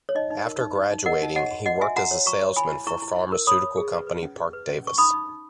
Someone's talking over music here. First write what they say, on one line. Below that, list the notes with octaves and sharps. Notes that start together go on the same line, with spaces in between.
After graduating, he worked as a salesman for pharmaceutical company Parke-Davis.
C#5
D#4 D#5
D#4
A#4
D#4
D#4
D#4
A#4 D#5 F#5
D#4
C#5 D#5 F#5
F#4
F#4 D#5 F#5
F#4 E5 G#5
F#4 F#5 A#5
C#5
F#4 A#5 C#6
C#5
E4 G#5 B5
E4
E4 A#5 C#6
E4
E4
A#4
C#5 B5 D#6
C#5
G#4
B4
B4
C#4
G#4
B4
C#4
C#4 C#6
D#4 B5 D#6
D#4
D#4